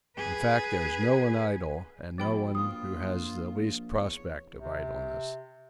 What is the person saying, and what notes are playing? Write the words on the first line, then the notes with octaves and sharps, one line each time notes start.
In fact there is no one idle, and no one who has the least prospect of idleness.
G#4 B4
B2 F3 G5 B5
A#1 F4 D#6
E2 C#5
C3